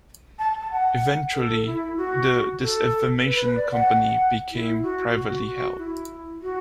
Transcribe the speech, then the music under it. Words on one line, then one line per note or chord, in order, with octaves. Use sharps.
Eventually, the Disinformation Company became privately held.
A5
A5
F#5
A4
E4
F#4
A4
B4
B4
B4
D5
F#5
E4
F#4
F#4
F#4
E4
F#4